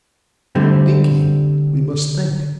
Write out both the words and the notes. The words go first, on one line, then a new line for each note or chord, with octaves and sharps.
'Binkie, we must think.
D3 G3 A3 C4